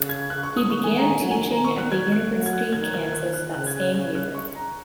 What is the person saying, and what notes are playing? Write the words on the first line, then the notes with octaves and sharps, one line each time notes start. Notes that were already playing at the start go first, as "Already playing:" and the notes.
He began teaching at the University of Kansas that same year.
Already playing: C#3 F#6
G#6
F#6
C#6
D#6
D#3 C#6
D#3 G#5
G#3 A#5
D#3 G#5
F#3
D#3 G#5
A#5
C#6
F#6
G#6
F#6
F#3
G#6
F#6
D#3 G#6
F#6
G#6
F#6
F#6
C#3 F#6
G#6
F#6
G#6
F#6
C#6
A#5